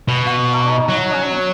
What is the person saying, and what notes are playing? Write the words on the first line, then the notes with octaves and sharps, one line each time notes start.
like, oh my g
B2
F#3